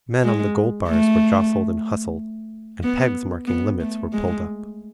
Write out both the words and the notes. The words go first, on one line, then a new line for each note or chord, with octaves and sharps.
Men on the gold-bars were jostled and hustled, and pegs marking limits were pulled up.
G#3
A3
B3
B3
A3
G#3